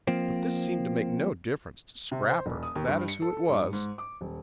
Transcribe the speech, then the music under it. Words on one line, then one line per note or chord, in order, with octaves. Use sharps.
But this seemed to make no difference to Scrapper, for that is who it was.
F3 A#3 C4
C3
C5
E1
D#6
D#2
G2
C#7
A4
G2
G#2
D6
D#1